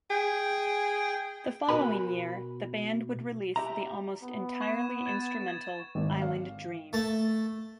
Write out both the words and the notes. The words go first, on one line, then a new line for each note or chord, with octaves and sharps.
The following year, the band would release the almost entirely instrumental "Island Dreams".
G#4 G5
B2 F#4 A#4 B4 G#5 B5
G4 E5 A#5
B3
C#6 G#6 E7
G#6 A6 E7
G#6 A6
G#1
F5
A3 A5